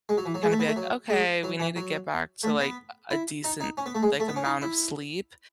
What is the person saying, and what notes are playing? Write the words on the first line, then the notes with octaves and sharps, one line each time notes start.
kinda be like, "Okay, we need to get back to, like, a a decent, like, amount of sleep,"
G#3
F#3
E3
F#3
G#3
A3
B3
A3
F#3
G#3
F#3
E3
F#3
A3
B3
E4
D#4
D#4
C#4
B3
A3
G#3
A3
B3
C#4
D#4
E4